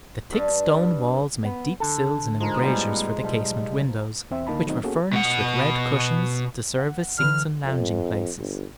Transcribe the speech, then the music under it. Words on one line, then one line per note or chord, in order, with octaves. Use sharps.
The thick stone walls made deep sills and embrasures for the casement windows, which were furnished with red cushions to serve as seats and lounging-places.
G2
B3
D3 A4
F3 G#3 D#4 A#4
A2 G3 B3
B1 G3 A5
E2 C4 E5
C#2 D3 A#3 D#4 A5 B5
D#3 F#3 A3 B3 C4 D#4
A#3 B3 C#4 F#4 G#4 A4
B2 F#5
F#5
D3 E3 B4 F6
F2
G1